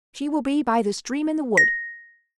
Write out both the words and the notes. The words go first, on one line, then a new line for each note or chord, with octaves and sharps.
She will be by the stream in the wood.
A#6